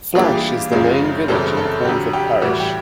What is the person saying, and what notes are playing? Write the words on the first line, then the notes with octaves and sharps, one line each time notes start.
Flash is the main village in Quarnford Parish.
E3 G3 A#3 D4 F4 G#4
G4
G#4
F#2 C#3 F3 G#3 C4
F#2 C#3 E3 G3 C4 A4
A4
F2 D3 F#3 G4
G4
A2 E3 G3 F#4
G4